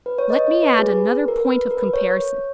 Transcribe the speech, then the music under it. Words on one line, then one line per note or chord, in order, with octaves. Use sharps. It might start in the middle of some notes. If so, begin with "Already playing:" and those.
Let me add another point of comparison.
B4
C#5
D#5
C#5
B4
G#4
B4
A#4
B4
A#4
B4
C#5
C#5